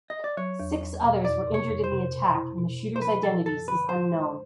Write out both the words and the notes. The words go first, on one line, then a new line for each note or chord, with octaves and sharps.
Six others were injured in the attack and the shooters identities is unknown.
D#5
D5
F#3 C#5
E2
E2
B2
F2 D5
C3
C#5
F2
C5
C3
B2
E4
B2
B2
C5
F3 B4
F3 A4
F#2 A4
D3 B4
A2 C5
G#3